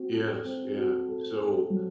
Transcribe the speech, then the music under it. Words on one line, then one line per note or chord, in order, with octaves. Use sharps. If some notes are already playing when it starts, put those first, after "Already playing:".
Yes, yeah, so,
Already playing: C4 F#4
A4
C4
F#4
A4
A4
F#3